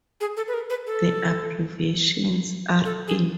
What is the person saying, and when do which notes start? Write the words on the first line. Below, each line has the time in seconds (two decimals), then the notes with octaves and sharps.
The abbreviations r.e.
0.21 G#4
0.37 A4
0.48 B4
0.54 A#4
0.70 B4
0.87 A4
2.85 A4
3.08 G#4